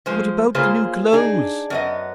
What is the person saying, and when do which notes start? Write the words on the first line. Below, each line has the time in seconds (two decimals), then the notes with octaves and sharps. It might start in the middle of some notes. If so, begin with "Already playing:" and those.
"What about the new clothes?"
0.06 F3 G#3 C5
0.55 C#3 A#3 F4 G#4 C5
1.13 D4 D#4 G#4
1.70 F#2 B3 D#5